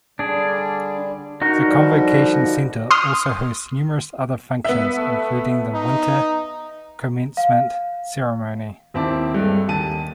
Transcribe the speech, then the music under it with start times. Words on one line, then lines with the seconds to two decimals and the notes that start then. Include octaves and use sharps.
The Convocation Center also hosts numerous other functions including the winter commencement ceremony.
0.19 D3 G3 D4 G#4
1.42 D#4 F#4 A#4
1.62 D3 F3 G3
2.91 C6 D#6 F6
4.64 B3 E5
4.97 A3
5.74 D#4
7.37 F5
8.94 D#2 C4 E4 A5 D6
9.34 G2 G#3 A4
9.68 D#2 A5 D#7